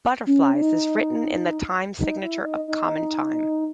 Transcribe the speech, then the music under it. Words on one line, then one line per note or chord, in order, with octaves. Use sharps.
"Butterflies" is written in the time signature of common time.
C#4
D4
D#4
D#4
E4
D#4
D#4